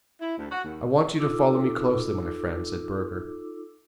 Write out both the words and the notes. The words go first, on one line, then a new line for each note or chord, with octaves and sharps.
"I want you to follow me closely, my friend," said Burger.
E4
D2
F#4
D#2
D#4 F4 A4 D6 E6